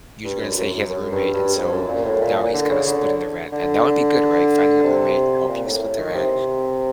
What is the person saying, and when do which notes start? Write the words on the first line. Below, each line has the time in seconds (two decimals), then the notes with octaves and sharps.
you were just gonna say he has a roommate, and so now he's kinda splitting the rent, and that would be good, right? Finding a roommate to help you split the rent.
0.24 G2
0.40 F#2
0.57 F#2
0.73 F#2
0.90 F#2
1.12 G2
1.33 G2
1.55 F2
1.72 F#2
1.88 A#2
2.04 A2
2.21 A#2
2.37 A#2
2.54 D3
2.70 C#3
2.87 D3
3.52 D3
4.83 C3
5.49 A#2
5.65 A2
5.82 A2
5.98 D#3
6.15 C3